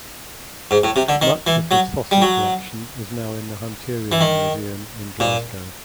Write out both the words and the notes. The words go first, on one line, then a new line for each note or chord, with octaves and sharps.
Much of his fossil collection is now in the Hunterian Museum in Glasgow.
G#2
A2
C3
D3
D#3
E3
F#3
G3
F#3
E3
D#3
A#2